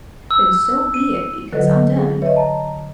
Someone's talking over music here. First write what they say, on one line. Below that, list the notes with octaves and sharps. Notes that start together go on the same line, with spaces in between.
then so be it, because I'm done.
E6
D#7
D3 F#3 A4 B4 D#5 F#5
G#4
B4 C#5 D#5 E5
A5 A#5